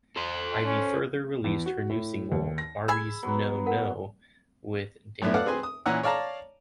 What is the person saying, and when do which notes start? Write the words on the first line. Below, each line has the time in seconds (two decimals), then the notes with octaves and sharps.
Ivy further released her new single "Barbies Know Know" with Dany Lee.
0.16 A4 C5
0.65 C#4
1.44 E2
1.66 F#4
1.90 A2
2.32 D#2
2.58 A#6
2.88 G#4 G#5 B5 E6
3.23 F#3 B3
3.66 A#4 F#5
5.22 F#2 A2 A3 B3 D4 E4
5.34 A4 B4 D5 F5 F#5
5.46 C4 G#4 B4 G#5 C6
5.63 D#6
5.86 A#2 E3 C#4 F#5 A#5 E6
6.03 C#5 D5 F5 A5 A#5